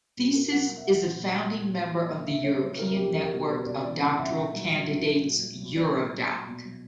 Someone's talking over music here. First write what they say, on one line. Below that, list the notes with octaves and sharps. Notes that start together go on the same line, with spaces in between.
Thesis is a founding member of the European network of doctoral candidates Eurodoc.
B2 F#4
B2 A#4
F#3 F#5
F#3 F#5
E5
F#3 F#5
A#2
A#2
F#3
A#2
F#3
A#2
A#2
C#3 E5
F#3 C#5
F#3 B4
C#3 A#4
B2 G4
F#3 A#4
B2 F#4
B2 B4
C#3 D5
E3 D5
C#3 F#5
C#3 E5
A#2
F#3
F#3
F#3
F#3
A#2
F#3
F#3
A#2 D5
A#2
F#3
A#2
B2
F#3